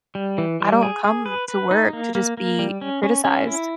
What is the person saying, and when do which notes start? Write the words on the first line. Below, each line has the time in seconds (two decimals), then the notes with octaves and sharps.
I don't come to work to just be criticized.
0.15 G3
0.38 E3
0.60 G3
0.83 G#4
1.04 G#4
1.26 B4
1.48 B4
1.71 D#4
1.93 A#3
2.15 A#3
2.37 A#3
2.59 G3
2.81 C#4
3.03 C#4
3.25 C#4
3.47 E4